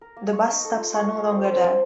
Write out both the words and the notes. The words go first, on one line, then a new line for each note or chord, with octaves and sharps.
The bus stops are no longer there.
A#4
A#3
C#6
D#4
A4
F4
C#6
F5
C4
C5
C4